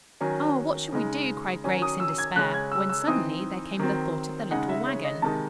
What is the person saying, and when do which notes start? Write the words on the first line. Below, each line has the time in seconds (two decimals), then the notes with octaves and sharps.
"Oh, what shall we do?" cried Grace in despair when suddenly there came the thought of the little wagon.
0.21 D#3 F#3 C#4 G#5
0.92 C#3 G#3 D#4
1.64 D#3 F#3 C#4 G#5
1.82 D#6
2.00 E6
2.18 G#6
2.36 C#3 G#3 C#4 F#6
2.54 G#6
2.72 E6
2.89 E6
3.08 E3 C4 D#4 D#6
3.79 D#3 F#3 C4
4.51 C#3 G#3 D#4 F#5
4.69 E5
4.87 C#5
5.04 D#5
5.22 C3 D#3 G#3 D#4 A5